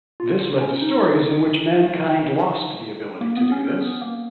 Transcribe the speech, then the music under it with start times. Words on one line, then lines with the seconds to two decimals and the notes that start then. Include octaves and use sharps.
This led to stories in which mankind lost the ability to do this.
0.20 F4
0.61 C#4
0.81 D#4
3.21 A#3
3.37 B3
3.52 C#4
3.67 C#4
3.81 B3
4.01 A#3